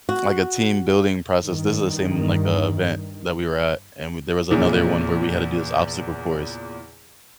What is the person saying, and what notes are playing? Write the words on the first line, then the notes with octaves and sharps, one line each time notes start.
like a team building process this is the same, like, uh, event that we were at, and we there was another one where we had to do this obstacle course,
F#4
G2 D#3
E2 A#2 C#3 E3